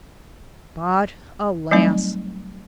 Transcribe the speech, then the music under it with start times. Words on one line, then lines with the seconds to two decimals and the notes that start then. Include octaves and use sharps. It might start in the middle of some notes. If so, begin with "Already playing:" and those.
But alas!
1.71 F#3 G3 A3 C4 D#4 D5